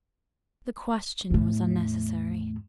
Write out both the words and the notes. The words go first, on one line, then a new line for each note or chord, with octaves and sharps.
The question was unnecessary.
E2 A2